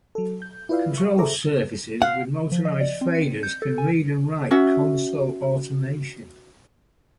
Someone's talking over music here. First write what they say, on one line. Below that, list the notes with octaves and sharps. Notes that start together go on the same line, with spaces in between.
Control surfaces with motorized faders can read and write console automation.
F#3 A4
G6
E4 F4 B4 D5 E5 F5
C#6
G#4 A4 C5 E5 A#5 D6
F5 F#5
F3
D#5
D5
C4
C#7
G6
A4
G#5
C#4 F#4 E5 F#5